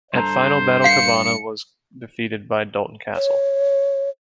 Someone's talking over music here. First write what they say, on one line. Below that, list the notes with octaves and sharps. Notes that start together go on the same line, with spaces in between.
At Final Battle Cabana was defeated by Dalton Castle.
G2 A4 C5 A#5
F5 C7 C#7
C#5